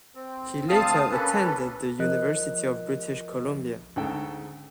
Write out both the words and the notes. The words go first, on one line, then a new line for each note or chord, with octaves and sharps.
He later attended the University of British Columbia.
C4
D2 C4 F5 A5 D#6
A#3 C#4 A4 B4
F3 A#4 D#5 F#6
D2 G#2 C#3 A4 G5